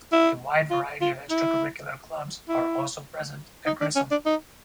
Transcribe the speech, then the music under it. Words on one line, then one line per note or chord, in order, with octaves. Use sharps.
A wide variety of extracurricular clubs are also present at Grissom.
E4
F4
F4
E4
E4
D#4
D4
C#4
D4
D#4